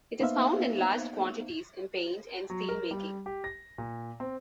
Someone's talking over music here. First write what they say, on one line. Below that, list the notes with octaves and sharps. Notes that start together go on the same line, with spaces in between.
It is found in large quantities in paint and steelmaking.
A#3 B3 D#4 C5 E5 F5
F#3
A#4
G3
G4
A#6
A#2
C4